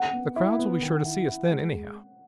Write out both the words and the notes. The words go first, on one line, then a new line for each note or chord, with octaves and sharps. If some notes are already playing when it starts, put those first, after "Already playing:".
"The crowds will be sure to see us then, anyhow."
Already playing: F#5
B3
E4
B3
D#3
E4
E4
G#3
G#3